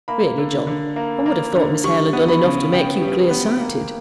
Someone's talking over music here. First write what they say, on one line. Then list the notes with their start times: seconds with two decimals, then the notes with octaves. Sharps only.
Really, John, one would have thought Miss Hale had done enough to make you clear-sighted.
0.08 A#3 B5
0.38 D3
0.67 D3
0.96 A#3
1.26 A#3
1.55 D3
1.84 G3 C#6
2.13 B3
2.28 B5
2.44 C#3
2.73 C#3 G5
3.01 G3
3.31 B3
3.60 A#3